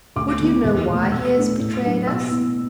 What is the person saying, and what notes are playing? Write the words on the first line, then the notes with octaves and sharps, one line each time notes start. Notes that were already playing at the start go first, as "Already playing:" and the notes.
Would you know why he has betrayed us?
D2 D6
D3 B3
E2
B2 A3
B2 E6
A3 D4
A2
F#3 D4
B2 E6
B3 E4